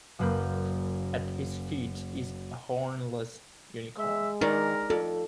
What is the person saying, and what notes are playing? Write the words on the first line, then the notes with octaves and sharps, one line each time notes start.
At his feet is a hornless unicorn.
F#1 F#2 A#3 B4 B5 G6
G#3 E5
G#2 D#3 D#4 A#4 D5
F2 A4